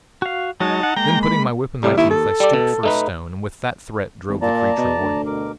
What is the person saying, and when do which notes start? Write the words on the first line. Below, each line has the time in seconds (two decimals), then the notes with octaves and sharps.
Then putting my whip in my teeth, I stooped for a stone, and with that threat drove the creature away.
0.22 F#4 F5
0.60 F#3 G#3 D#4 F#4 A5
0.83 F#5
0.96 G#3 A#3 G5 A#5
1.23 B5
1.83 C2 A2 G3
1.98 D#2 E4
2.10 A4
2.40 G3 D5
2.53 B2
2.83 A3 D#4 B4
4.28 G#1
4.42 A#2 D5 A5 A#5
4.78 B2
5.00 D2
5.26 B2 A#4 D6